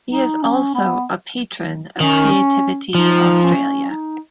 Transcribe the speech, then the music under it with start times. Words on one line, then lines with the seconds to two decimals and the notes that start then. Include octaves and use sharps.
He is also a Patron of Creativity Australia.
0.11 D#4
0.42 C#4
0.74 B3
2.00 D#3 C#4
2.95 F3 D#4
3.43 C#4
3.90 D#4